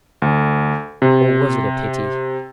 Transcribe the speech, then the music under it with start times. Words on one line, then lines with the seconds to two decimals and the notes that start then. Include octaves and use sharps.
Or was it a pity?
0.22 D2
1.02 C3